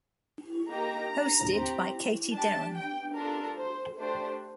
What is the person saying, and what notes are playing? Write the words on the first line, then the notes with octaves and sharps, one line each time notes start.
Hosted by Katie Derham.
A#3 D#4 G4 A#5
C4 G4
D4 G4 A5
G5
D4 F4 A4 A#4
C5
A3 D4 G4 C5